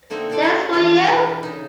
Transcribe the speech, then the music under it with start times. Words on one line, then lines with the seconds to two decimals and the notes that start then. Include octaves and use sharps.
There's for you!
0.10 D3 A#3 C4 D#4 E5 F#5
0.30 D3 C4 F4 A4 D5
0.42 A3 C#4 E4 G#4 C#5 F#5
0.73 E3 F3 G#3 D4
1.04 B2 E3
1.43 C#3 D#4